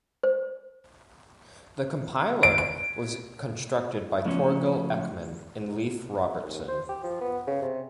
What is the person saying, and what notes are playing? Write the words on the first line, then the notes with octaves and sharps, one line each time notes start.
The compiler was constructed by Torgil Ekman and Leif Robertson.
C5
D7
D7
F2 A2 C#3 F3 C#4
D#2
C5
G4
F3
B3
C#3
C3